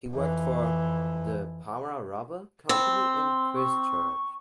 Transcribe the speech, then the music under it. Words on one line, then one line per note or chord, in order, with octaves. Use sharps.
He worked for the Para Rubber Company in Christchurch.
F2 E3
C4 B5
C6
C#6